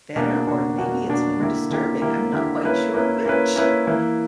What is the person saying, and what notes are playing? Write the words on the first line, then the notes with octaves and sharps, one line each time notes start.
better or maybe it's more disturbing. I'm not quite sure which.
B2 A#3 D4 F#4
B2 A#3 D4 F#4
B2 A#3 D4 F#4
B2 A#3 D4 F#4
D3 A#3 E4 G4
D3 A#3 E4 G4
D3 A#3 E4 G4
D3 A#3 E4 G4
A#3 C#4 E4 B4
A#3 C#4 E4 B4
A#3 C#4 E4 B4
A#3 C#4 E4 B4
E3 A#3 E4